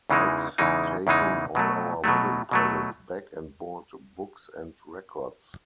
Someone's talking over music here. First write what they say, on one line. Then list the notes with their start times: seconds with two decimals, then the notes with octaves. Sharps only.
I'd taken all our wedding presents back and bought books and records.
0.10 E2 C#3 E3 G#3 D#4
0.58 E2 C#3 E3 G#3 D#4
1.07 E2 C#3 E3 G#3 D#4
1.55 B2 F#3 A3
2.04 B2 F#3 A3
2.51 B2 F#3 A3